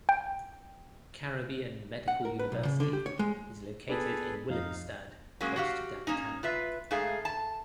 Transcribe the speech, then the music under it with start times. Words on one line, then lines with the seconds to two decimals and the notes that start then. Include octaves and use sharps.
Caribbean Medical University is located in Willemstad - close to downtown.
0.09 G5
2.08 F#5
2.25 A#4
2.39 B4
2.52 B1
2.65 C#3
2.80 D3
2.93 G4
3.06 C#5
3.19 G#3
3.89 B3 D4 G#4 A4 B4
4.50 F2 D#4 F5
5.41 F#3 G#3 A#3 C#4
5.56 F#4 G4 F5
6.07 A#3 C#4 D#4
6.43 F4 B4 E5
6.91 G#2 A3 G#4 F5
7.25 A5